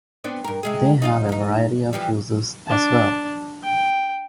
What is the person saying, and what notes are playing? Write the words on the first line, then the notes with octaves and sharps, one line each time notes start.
They have a variety of uses, as well.
B3 C4 D4
G2 A#4
C3 G#3 G#4
D#4 F4 F5
D2 D#4
E3 F3 G3
D4 A5
G5